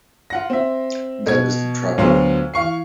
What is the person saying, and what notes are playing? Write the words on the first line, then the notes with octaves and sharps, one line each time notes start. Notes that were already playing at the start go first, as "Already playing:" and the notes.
That is the trouble.
F4 F#5 A#6
C4 E5
B2 G#6
D2 F#3 B3 F4 C5
E3 F5 C#6 C7